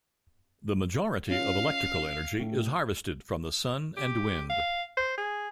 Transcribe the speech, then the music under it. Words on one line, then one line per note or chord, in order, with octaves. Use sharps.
The majority of electrical energy is harvested from the sun and wind.
C#4 F4 F5
A2
G4
F5
C5
G#4